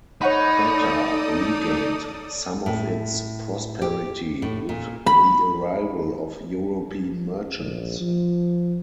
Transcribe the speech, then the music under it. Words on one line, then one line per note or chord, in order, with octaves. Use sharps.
Thatta regained some of its prosperity with the arrival of European merchants.
D#4 A4 C#5 D5 F#5 B5 D#6
A2
G4
A2
A#2
B5
A#1
F3